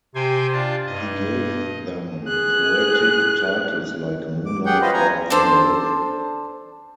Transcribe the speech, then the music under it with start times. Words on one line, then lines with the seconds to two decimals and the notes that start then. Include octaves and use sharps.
He gave them poetic titles like "Moonlight" or "Inner Look".
0.15 C3 C5 G5 G#5
0.53 D4 F4 A5
0.87 G2 D#5
2.25 G#4 F#6
4.46 D6
4.66 G4 G#4 F#5 G5
4.81 C#4 F4 B4 C5 D#5
4.94 G#5 A#5
5.30 D4 A4 C5